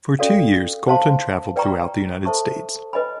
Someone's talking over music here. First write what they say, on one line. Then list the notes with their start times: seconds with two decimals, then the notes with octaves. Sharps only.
For two years Colton traveled throughout the United States.
0.19 C#4 F#4 A4 D5 F5
0.88 C5 F5 A5 C6
1.56 B4 D5 G5 A#5 C#6
2.25 A4 C5 E5 A5 C#6
2.93 B4 D#5 G#5 B5